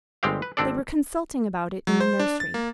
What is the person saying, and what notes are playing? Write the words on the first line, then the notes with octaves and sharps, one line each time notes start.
They were consulting about it in the nursery.
G1 G3 G#3 C4 G4 F5
B4
G#1 C4 D4 A4 D5
F#3
C5
D4
A6
A#3